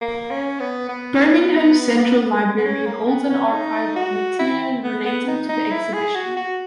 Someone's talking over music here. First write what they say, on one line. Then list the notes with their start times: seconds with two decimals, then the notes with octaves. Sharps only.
Birmingham Central Library holds an archive of material relating to the exhibition.
0.01 A#3
0.30 C#4
0.59 B3
0.89 B3
2.58 B3
2.64 C#4
2.86 A#3
3.08 B3
3.30 C#4
3.52 D#4
3.96 F#4
4.39 E4
4.84 B3
5.05 B3
5.27 D#4
5.49 D#4
5.71 E4
5.93 G#4
6.15 F#4
6.36 F#4